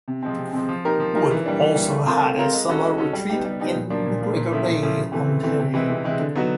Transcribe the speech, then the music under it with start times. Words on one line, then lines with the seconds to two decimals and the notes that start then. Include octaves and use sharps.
Wood also had a summer retreat in McGregor Bay, Ontario.
0.08 C3
0.23 F3 G#3 C4
0.38 C3
0.53 F3 G#3 C4
0.69 F3
0.85 A#3 D#4 G4 A#4
1.00 F3
1.15 A#3 D#4 G4 A#4
1.31 E3
1.45 G3 A#3 D4
1.60 E3
1.75 G3 A#3 D4
1.91 A3
2.06 C4 F4 A#4
2.22 A3
2.37 C4 F4 A#4
2.53 G#3
2.68 C#4 F#4 A4
2.83 G#3
2.98 C#4 F#4 A4
3.13 G3
3.30 B3 D#4 G4
3.45 G3
3.60 B3 D#4 G4
3.75 A#2
3.90 F3 A#3 D4
4.06 A#2
4.21 F3 A#3 D4
4.37 A#2
4.52 F3 A3 C#4 E4
4.67 A#2
4.82 F3 A3 C#4 E4
4.97 C#3
5.13 E3 A3 C4
5.28 C#3
5.43 E3 A3 C4
5.59 C3
5.74 E3 G#3 C4 E4
5.89 C3
6.04 E3 G#3 C4 E4
6.20 D3
6.35 F#3 B3 D#4 F#4